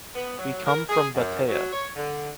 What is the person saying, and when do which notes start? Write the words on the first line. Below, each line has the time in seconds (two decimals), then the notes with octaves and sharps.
We come from Batea.
0.15 B3
0.39 F#3
0.66 A#4
0.90 G#4
1.15 F#2
1.49 F#3
1.73 C#5
1.96 D3